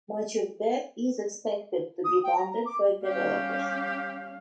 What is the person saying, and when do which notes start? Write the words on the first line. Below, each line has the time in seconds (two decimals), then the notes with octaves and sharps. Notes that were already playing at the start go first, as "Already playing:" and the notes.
Much of that is expected to be funded by developers.
2.05 D#6
2.24 G5
2.36 A#5
2.51 A#5
2.66 D6
3.05 G3 C#4 G4 F5